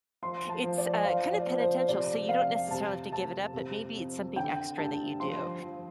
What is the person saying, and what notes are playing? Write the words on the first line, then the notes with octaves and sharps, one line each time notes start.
it's, uh, kinda penitential, so you don't necessarily have to give it up, but maybe it's something extra that you do.
F3 C6
A5
F3
D5
F3 F5
D5
F3
C5
C3 D5
F2 F5
C3 A5
F2 A5
C3
F2
D3 G5
G2 A5
F3 C6
F3